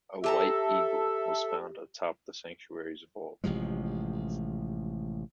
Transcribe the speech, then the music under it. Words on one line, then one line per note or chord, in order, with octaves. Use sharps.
A white eagle was found atop the sanctuary's vault.
G4 A4 E5 A5 A#5
A1 C3 F3 G#3